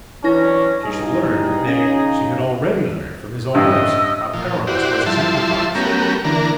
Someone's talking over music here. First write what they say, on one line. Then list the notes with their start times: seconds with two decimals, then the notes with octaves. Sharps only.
She should learn,--nay, she had already learned from his own lips,--how perilous was his enterprise.
0.24 E3 F#3 C#4 D4 E4 B4 A#6
0.84 G2 D#4 G#4
1.67 C#3 C#4 D#4 F5 A#6
3.54 A1 G2 D#5 F5 E6
4.34 A#2 F3
4.67 E4 F#4 G4 C5 D5
5.06 F3 G3 E4 E5 A5 C6
5.75 F#3 A3 B3 C#4 G4 A#4
6.24 D3 E3 A#3 D4 A#4